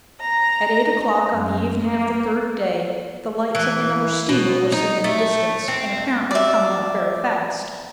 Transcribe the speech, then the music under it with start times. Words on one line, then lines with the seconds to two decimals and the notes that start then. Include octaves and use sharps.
At eight o'clock on the evening of the third day, the lights of another steamer were seen in the distance, and apparently coming up very fast.
0.20 A#5
1.31 F#2
1.82 A#3
3.55 E3
4.29 B2
4.72 D#4
5.04 A3
5.68 C4
6.31 D5 E5